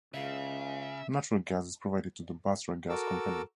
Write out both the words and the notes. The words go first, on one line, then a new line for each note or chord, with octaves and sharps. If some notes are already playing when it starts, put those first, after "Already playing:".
Natural gas is provided to the Basrah Gas Company.
C#2 C#3 E5 F5
F#4 A4 A#4 D6 E6